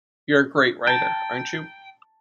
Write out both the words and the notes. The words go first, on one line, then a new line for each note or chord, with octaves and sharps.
You're a great writer, aren't you?
G5 A5 A#5